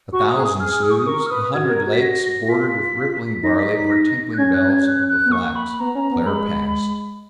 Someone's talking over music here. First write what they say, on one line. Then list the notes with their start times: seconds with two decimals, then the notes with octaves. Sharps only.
A thousand slews, a hundred lakes bordered with rippling barley or tinkling bells of the flax, Claire passed.
0.13 F#4 C#6
0.28 D#6
0.36 G#4
0.44 D#6
0.59 G#4 F6
0.83 D#6
0.91 C#6
0.98 D#6
1.06 A#4 C#6
1.26 F6
1.30 B4 D#6
1.54 F#4 G#6
1.69 A#4
1.78 G#6
1.86 F#4
1.93 B6
2.01 A#6
2.25 A#6
2.44 A#6
2.48 F4 B6
3.43 D#4 A#6
3.59 B6
3.74 B6
3.91 A#6
4.34 F#6
4.38 C#4 G#6
4.54 F#6
4.69 G#6
4.85 F#6
5.08 F#6
5.26 B3
5.32 A#3 C#6
5.56 B5
5.80 B3 A#5
5.95 C#4
6.11 B3
6.18 A#5
6.26 G#3 B5